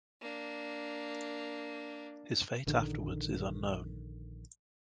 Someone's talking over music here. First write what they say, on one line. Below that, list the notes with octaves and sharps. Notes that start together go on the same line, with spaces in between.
His fate afterwards is unknown.
A#3 D4
A#1 D3 D#3